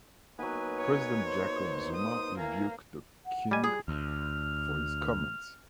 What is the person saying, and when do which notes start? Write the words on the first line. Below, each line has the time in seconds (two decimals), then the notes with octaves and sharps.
President Jacob Zuma rebuked the king for his comments.
0.39 F#3 A#3 B3 D#4 B4 G#5
0.78 C#5
1.26 C5
1.96 D#6
2.38 A#3 E4 F5 G#5 A#5
3.25 F#5
3.51 G3 D#5 G#5
3.64 F4 G#4
3.88 D2 F6